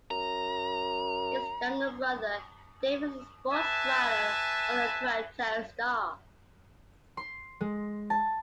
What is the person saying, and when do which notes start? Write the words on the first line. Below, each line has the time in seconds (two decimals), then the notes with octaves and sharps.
His younger brother Dave is a sportswriter for the "Toronto Star".
0.11 F#2 A#5
3.53 B4 E5 G#5 A5
7.17 C6
7.61 G#3
8.10 A5